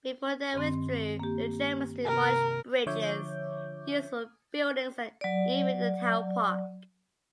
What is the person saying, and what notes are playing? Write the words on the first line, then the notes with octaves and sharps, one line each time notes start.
Before they withdrew, the Germans demolished bridges, useful buildings, and even the town park.
G2 D#3 C4
A#3 G4
C3 A#4
D3 F3 C#5 E5 D6 G6
F#3 D5